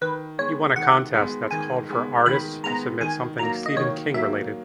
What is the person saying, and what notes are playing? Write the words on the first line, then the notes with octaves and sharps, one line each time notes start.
He won a contest that called for artists to submit something Stephen King related.
D#3 B4
G#3 B3 C#5
D#3 F#5
G#3 B3
D#3 G#5
G#3 B3
D#3 B5
G#3 B3 A#5
D#3 G#5
F#3 A#3 A#5
D#5
D#3 C#5
F#3 A#3 E5